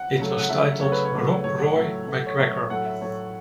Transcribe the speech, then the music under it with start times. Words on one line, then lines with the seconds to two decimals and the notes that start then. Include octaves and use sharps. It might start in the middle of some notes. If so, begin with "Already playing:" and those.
It was titled "Rob Roy MacGregor".
Already playing: F#5
0.17 C#3 F#3 A3
0.39 F#5
0.49 C#3 F#3 A3 E5
0.64 E5
0.80 C#3 F#3 A3 C#5
0.92 B4
1.05 C#5
1.12 C#3 F#3 A3
1.44 A2 F#3 A3 C#5
1.59 F#5
1.75 A2 F#3 A3 E5
2.06 B2 F#3 A3
2.27 C#5
2.38 B2 F#3 A3 E5
2.53 C#5
2.70 A2 F#3 A3 F#5
2.85 E5
3.01 A2 F#3 A3 C#5